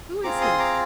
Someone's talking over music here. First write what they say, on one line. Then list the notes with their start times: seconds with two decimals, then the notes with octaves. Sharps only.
Who is he?'
0.23 C4 F4 G#4 A#5 D6
0.41 C6 D#6
0.59 A#5 D6